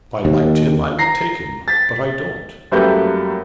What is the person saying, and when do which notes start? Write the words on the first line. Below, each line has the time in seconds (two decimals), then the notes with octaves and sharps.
If I liked him, I would take him, but I don't.
0.25 D#2
0.99 A#5 A#6 C7
1.68 A6 B6
2.72 F#2 G3 A3 A#3 B4 G6